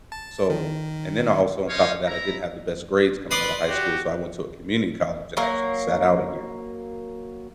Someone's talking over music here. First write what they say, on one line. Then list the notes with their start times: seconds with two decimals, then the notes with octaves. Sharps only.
so and then I also, on top of that, I didn't have the best grades coming out of high school, so, I went to a community college and actually sat out a year
0.12 A5
0.50 D#3
1.68 C#4 C5 C#5 D#5 F5
2.06 E4 A#5
3.31 B4 D5 C6 D#6
3.68 F#4 G4
5.37 F#3 A#3 A#4